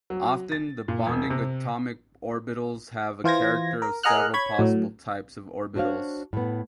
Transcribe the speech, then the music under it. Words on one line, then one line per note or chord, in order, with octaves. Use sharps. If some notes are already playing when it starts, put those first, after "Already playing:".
Often, the bonding atomic orbitals have a character of several possible types of orbitals.
F#3
A6
A#2
E1
C3
E3 F4 C5 G#6 A#6
A#4
G#4 A#4 D#5 F#5 F6 F#6
C#5 B5 G#6
A2 F#3
D4 F#4 C5 C#5 F5
A2 B3